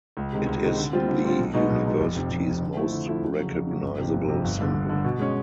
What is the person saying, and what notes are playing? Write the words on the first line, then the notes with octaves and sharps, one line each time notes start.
It is the university's most recognizable symbol.
C#2
C3 D#3 G#3
C#2
C3 D#3 G#3
D3
G3 C4 F4
D3
G3 C4 F4
B1
B2 G#3 B3 D#4
B1
B2 G#3 B3 D#4
F1
F2 C3
F1
F2 C3
D3
F3 A3 C4 E4
D3
F3 A3 C4 E4
F2
C#3 F#3
F2
C#3 F#3
G1
F2 C3
G1
F2 C3
G1
G2 D3
G1
G2 D3
B2
G#3 C#4